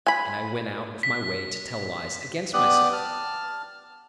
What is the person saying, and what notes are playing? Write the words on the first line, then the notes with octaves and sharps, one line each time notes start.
And I went out of my way to tell lies against myself....
G#5 B5
B6
B3 G4 D5 D#6 F#6
A5 F6